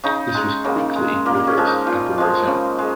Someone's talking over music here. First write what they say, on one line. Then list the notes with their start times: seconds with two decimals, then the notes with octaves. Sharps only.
This was quickly reversed at the war's end.
0.04 C#3 D#4
0.34 G#3
0.65 C#3 A#3
0.96 G#3
1.25 A#2 A#3
1.47 C#4
1.57 F3 G#3
1.67 D#4
1.87 A#2 F4
2.18 F3 G#3
2.48 C#3
2.78 G#3